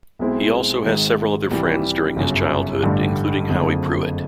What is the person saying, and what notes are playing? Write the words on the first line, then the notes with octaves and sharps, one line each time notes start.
He also has several other friends during his childhood including Howie Pruitt.
B1 B2 G#3 C4 E4
G#1 G#2 D#3
C2 C3 E3 G3
G1 F#2 C#3
A1 G2 D3 G3
F#1 F2 D3